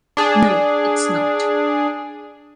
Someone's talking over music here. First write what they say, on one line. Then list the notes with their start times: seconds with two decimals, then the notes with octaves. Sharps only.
No, it’s not.
0.17 D4 G#4